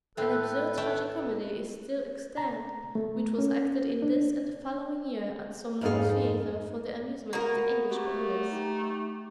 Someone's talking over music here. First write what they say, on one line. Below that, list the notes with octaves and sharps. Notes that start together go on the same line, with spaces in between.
An absurd tragicomedy is still extant, which was acted in this and the following year at some low theatre for the amusement of the English populace.
A2 C4 A4 B4
A3 G5 A5
A#5
A3
C#4
D4
F2 G#2 A#3 D#4 G#4 F5
A#3 B3 F#4 A#4
A3 F#4 G4
D#4 G4